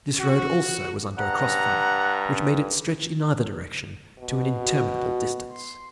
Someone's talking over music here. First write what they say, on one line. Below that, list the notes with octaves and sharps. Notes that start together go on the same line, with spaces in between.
This road also was under a cross-fire, which made it stretch in either direction to an interminable distance.
F#4
G2 F#5 A#5
B2
F#4
F#4
C6